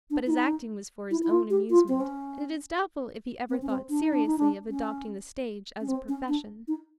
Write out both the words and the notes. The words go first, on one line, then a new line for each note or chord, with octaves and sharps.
But his acting was for his own amusement, and it is doubtful if he ever thought seriously of adopting the stage as a profession.
D4
E4
D#4
E4
E4
F4
G4
F4
C4
C#4
C4
C#4
C4
D4
D#4
D4
D#4
D4
C#4
C#4
C4
C#4
D4
D#4